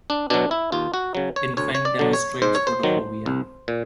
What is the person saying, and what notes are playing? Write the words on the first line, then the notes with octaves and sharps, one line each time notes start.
Infant demonstrates photophobia.
D4
B2 F#3 D4
E4
D#2 F4
F#4
C#3 F#3
C#5
D2 C#5
C#5
D5
D3 F#3
C#5
G#2 C5
C#5
C5
D#3 F#3
C2
A#2